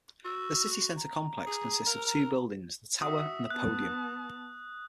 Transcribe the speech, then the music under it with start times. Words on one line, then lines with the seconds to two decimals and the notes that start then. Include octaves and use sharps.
The Centre City complex consists of two buildings, the Tower and the Podium.
0.25 F#4 E6
0.96 A#5
1.47 G#4
1.87 A#4
3.02 F#4 E5 D#6
3.50 B3 A5 F#6